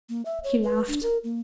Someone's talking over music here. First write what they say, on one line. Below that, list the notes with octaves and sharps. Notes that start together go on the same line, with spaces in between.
He laughed.
A#3
E5
C#5
B4
D4
A#4
A#3